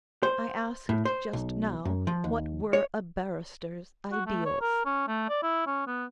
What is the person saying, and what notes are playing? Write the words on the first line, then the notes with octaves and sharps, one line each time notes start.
I asked just now what were a barrister's ideals.
C5
A2
C5
B1
F#2
F3
D#2
C#5
F#4
A3
C#5
A#4
C#4
A3
D5
E4
C#4
B3